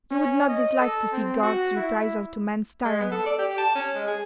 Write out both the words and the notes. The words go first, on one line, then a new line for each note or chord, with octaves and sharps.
You would not dislike to see God's reprisals to man's tyranny?....
C#4
D#5
A4
C4
F#4
E4
G#3
B3
A4
D5
G4
A5
C#4
G#3
G#4